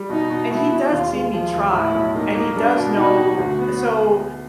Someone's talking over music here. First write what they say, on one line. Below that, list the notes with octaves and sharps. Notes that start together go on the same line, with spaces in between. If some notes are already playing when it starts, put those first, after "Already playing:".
and he does see me try, and he does know So,
Already playing: G3
B2 D#4
B2
B2 E4
B2
D#2 F4
G#3
F3 F4
D#2
A2 E4
B1
A#3 D#4
A#3
G3 D4
B2
D#4 F#4
D#4
D2 F#4
B3